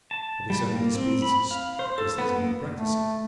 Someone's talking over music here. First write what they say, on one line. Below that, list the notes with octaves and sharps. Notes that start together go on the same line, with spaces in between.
But this only displeases us because these are new practices.
A5
G3
A#3
C4
B5
F5
C5
A4
B3
A#3
A3